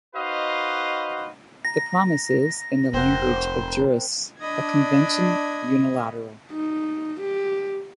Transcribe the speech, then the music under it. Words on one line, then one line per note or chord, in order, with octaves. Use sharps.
The promise is, in the language of jurists, a convention unilateral.
D#4 F#4 B4 C5 D#5 F5
A#5 A#6
F1 C4 A#4 C5 F#5
D4 D#5 B5 G#6
D#4
G4